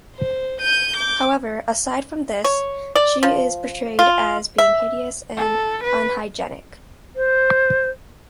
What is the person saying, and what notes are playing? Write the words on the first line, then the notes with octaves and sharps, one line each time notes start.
However, aside from this, she is portrayed as being hideous and unhygienic.
C5
G6 D#7
D6
C#5
D5
F3
F4
E5
A4
B4
C5